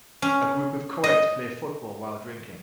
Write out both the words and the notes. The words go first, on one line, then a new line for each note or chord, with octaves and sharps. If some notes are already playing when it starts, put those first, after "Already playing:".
A group of coeds play football while drinking.
C#4
D#5